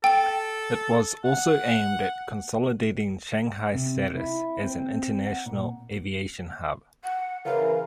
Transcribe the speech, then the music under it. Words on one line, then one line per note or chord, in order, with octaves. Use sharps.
It was also aimed at consolidating Shanghai's status as an international aviation hub.
A4 G5
F#5
C3
E4
C4
F#5
A#2
F#5
C#3 E3 A#4 F5